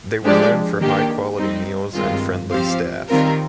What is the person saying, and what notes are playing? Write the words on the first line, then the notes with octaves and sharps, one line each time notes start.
They were known for high quality meals and friendly staff.
F3 G#3 D4 G4 D5
D#3 A#3 D4 G4
G3 C4 D#4
G2 D#3 G#3 C4 F4
F3 C4 G4 C5 F5
D#3 G3 C4 F4 A#4